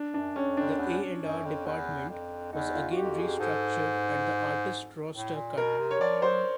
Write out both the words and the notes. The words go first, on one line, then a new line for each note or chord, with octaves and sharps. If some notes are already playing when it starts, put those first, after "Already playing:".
The A and R department was again restructured and the artist roster cut.
Already playing: D4
F#2 D4
F2 C#4
F2 D4
E2
F#2
F2
E2
F2
E2 D#4
F4
F#4
F2 G4
G#4
G#2 A4
A2
A#2
B2 A#4
C3
C#5
F3 D5
F#3 C5